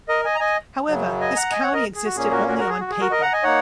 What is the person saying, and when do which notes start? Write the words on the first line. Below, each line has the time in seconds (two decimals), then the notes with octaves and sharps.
However, this county existed only on paper.
0.09 A#4 D#5
0.25 D#5 G#5
0.35 A#5
0.40 D#5 G#5
0.88 F#2 C#3 F#3
1.21 D#5 G#5
1.36 F#5 A#5
1.51 D#5 G#5
1.63 C#5 F#5
1.73 A#4 D#5
1.95 G#4
2.05 F#4
2.15 A#2 A#3 C#4 G#4
2.31 F#4 A#4
2.48 F#4 A#4
2.59 F#4 A#4
2.69 G#4
2.80 F#4
2.90 G#4
3.01 F#4 A#4
3.11 A#4 D#5
3.22 F#5 A#5
3.33 D#5 G#5
3.43 A#3 D#4 C#5 F#5